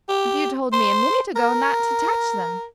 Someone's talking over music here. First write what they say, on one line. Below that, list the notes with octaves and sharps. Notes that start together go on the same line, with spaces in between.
"But you told me, a minute ago, not to touch them."
G4
C5
A#4